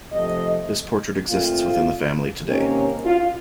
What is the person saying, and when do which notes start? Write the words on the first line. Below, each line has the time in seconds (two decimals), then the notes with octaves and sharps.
This portrait exists within the family today.
0.12 C3 F3 A3 D#5
1.29 A#2 A3 C4 F4
2.47 C3 D#3 A#3 C#4
3.06 F4